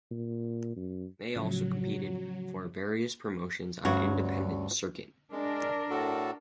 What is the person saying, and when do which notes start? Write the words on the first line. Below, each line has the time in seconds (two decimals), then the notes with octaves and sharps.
They also competed for various promotions on independent circuit.
0.11 A#2
0.76 F#2
1.36 A2 C#3 F3 F#3
3.85 D2 G2 C#4 F#4
5.32 G#3 D4 A#4
5.90 A2 F#4 A4